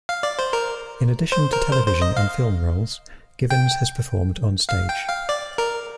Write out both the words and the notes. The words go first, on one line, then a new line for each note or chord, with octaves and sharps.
In addition to television and film roles, Givens has performed onstage.
F5
D5
C5
A#4
C5
A#4
C5
C5
D#5
F5
G5
F5
G5
F5
D5
A#4